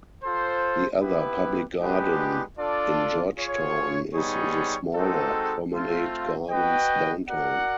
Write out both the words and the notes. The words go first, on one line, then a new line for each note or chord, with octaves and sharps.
The other public garden in Georgetown is the smaller Promenade Gardens downtown.
F4 A4 C5
B3 E4 G4 B4
G#3 B3 D4 G4 B4
D4 F4 A4 D5
F4 G#4 C#5
G3 B3 D#4 G#4 C#5
G#3 C4 D#4 F#4 A4
A3 C4 F4
F#4 B4 D#5 G5
F#4 A#4 D5 F#5